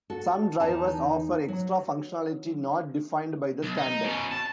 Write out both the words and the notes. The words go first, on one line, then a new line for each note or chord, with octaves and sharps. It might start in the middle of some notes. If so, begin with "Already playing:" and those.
Some drivers offer extra functionality not defined by the standard.
F#4 A4
E2 D#4 A5
F#3
B1
D#4
B2 C#4
A5